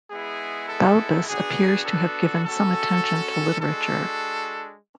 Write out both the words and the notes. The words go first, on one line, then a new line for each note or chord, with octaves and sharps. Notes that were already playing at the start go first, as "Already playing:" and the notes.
Balbus appears to have given some attention to literature.
G#3 B3 E4 G#4
A4
B3 D4 F#4 G#4
A4
G#3 C#4 F#4 A4
G#3 D4 F#4 A4